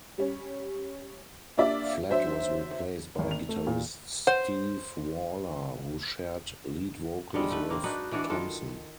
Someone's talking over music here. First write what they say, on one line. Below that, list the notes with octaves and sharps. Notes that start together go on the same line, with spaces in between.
Flett was replaced by guitarist Steve Waller, who shared lead vocals with Thompson.
G3 C#4
A#3 D4 F4 G4 D5 E5
F#3 D4 C5 E5
G#1
F7
A3
A#2
C5 F#5
D3 F3 G3 G#3
A3 B4
G#2 A#3 C4
D4 D#4 F#4 B4
E3 D4 E4 F#4
D#3 F4 A4